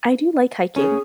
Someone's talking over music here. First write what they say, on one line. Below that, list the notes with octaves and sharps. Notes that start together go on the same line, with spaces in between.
I do like hiking.
C#4 G#4